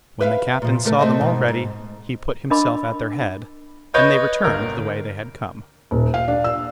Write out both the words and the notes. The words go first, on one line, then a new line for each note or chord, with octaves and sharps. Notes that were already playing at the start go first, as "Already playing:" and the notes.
When the captain saw them all ready, he put himself at their head, and they returned the way they had come.
B4 E5 F5
A#2 F3
C3 A3 A#4
A3 C4 D#5
G#2 B2
G#2
D4 A#4 D#5 B5 D6
B4 C#5 D#5 G6
G1 A#4
D#1
F5
D4
E6